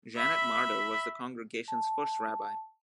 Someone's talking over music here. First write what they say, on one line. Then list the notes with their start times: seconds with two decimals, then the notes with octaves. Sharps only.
Janet Marder was the congregation's first rabbi.
0.15 E5 B5
1.68 A5